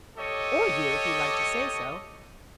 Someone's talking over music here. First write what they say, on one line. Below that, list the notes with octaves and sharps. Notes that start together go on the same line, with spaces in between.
"Or you, if you like to say so."
G4 A4 C#5 D#5